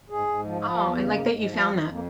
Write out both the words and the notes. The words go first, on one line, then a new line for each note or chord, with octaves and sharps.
Oh, I like that you found that.
G#2 G#4
G#2
F3
F3
E2
C#3
G#2 A#3
G#2
G#3
F3
F2 G3
F2
A#3